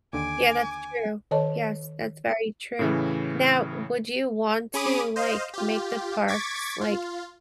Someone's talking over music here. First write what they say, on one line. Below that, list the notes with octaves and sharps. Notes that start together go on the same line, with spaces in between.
Yeah, that's true, yes, that's very true, now, would you want to, like, make the parks, like,
D#2 D3 G5 G#5 D6
D#3 A4 C#5 D#5 A5
A2 C#3 E3
C#4 G#4 B5 D6 D#6 D#7
C5 D#5 F5
F4 G4
C#6 D6 G#6 A6 B6
F4